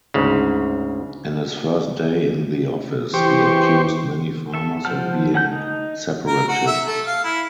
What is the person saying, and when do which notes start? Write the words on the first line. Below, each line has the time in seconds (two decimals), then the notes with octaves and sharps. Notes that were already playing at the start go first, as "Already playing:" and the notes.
In his first day in the office, he accused many farmers of being separatists.
0.14 D2 G#2 C#3
3.14 E3 G4 C5 C#6
4.54 A4 E5
4.85 F3 C5 F#5 A5 F6
5.34 C#4 F#5 A5 G6
5.52 D#4
6.27 A#4
6.48 F#4
6.66 E5
6.87 A3
7.06 F5
7.24 E4